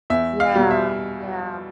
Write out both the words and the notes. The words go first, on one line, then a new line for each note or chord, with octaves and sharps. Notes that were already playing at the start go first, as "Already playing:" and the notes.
Yeah. Yeah.
E2 E5
F5
B2 G3
E5